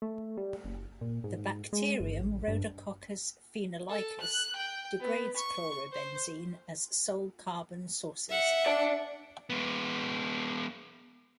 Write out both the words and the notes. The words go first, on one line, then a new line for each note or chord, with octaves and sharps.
The bacterium "Rhodococcus phenolicus" degrades chlorobenzene as sole carbon sources.
A3
G3
F#1
A#2
G#2
G#3
G1
A1
G2
A4
F#6
G5
B3
C#6
C5
E5 F#5
D5 A5
G#3 B3